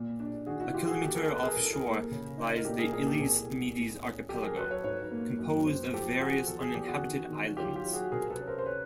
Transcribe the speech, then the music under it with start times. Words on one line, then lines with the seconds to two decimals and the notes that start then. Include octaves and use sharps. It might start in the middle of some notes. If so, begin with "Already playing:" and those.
A kilometre off shore lies the Illes Medes archipelago, composed of various uninhabited islands.
Already playing: A#2
0.20 D4
0.47 D#3 F#4 G#4
0.60 E4 F#4
0.74 D#3 F4 G4
0.88 F#4 G#4
1.02 D#2 G4 A4
1.15 G#4 A#4
1.29 A3 A4 B4
1.43 G#4 A#4
1.56 C2 A#4
1.65 A4
1.73 G#4 A#4
1.84 A#3
2.11 C#3
2.38 D#4
2.57 A#4
2.65 A#2 G4 A4
2.79 G#4 A#4
2.92 A#2 G#4 A#4
3.07 G4 A4
3.20 C2 G#4 A#4
3.47 B3
3.75 A2
4.01 C#4
4.29 F#3 G4 A4
4.42 G#4 A#4
4.57 F#3 A4 B4
4.70 B4 C#5
4.84 G#2 B4 C#5
5.11 A#3
5.39 F#2
5.66 C4
5.93 F3 G4 A4
6.20 F3 F#4 G#4
6.48 E2 A4
6.61 G#4
6.74 E2 G4
6.88 F#4 G#4
7.02 D#3
7.30 D#3
7.57 F#3 F4 G4
7.75 F4 G4
7.85 F#3
7.93 F#4 G#4
8.12 C3 G#4 A#4
8.30 A4 B4
8.40 C#4
8.48 A#4 C5
8.59 C5
8.66 B4 C#5